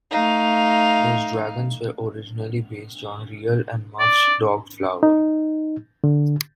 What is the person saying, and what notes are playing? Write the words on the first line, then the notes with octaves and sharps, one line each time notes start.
Those dragons were originally based on Real and Muff's dog Flower.
A3 D#4 F5
D5
D#4
D3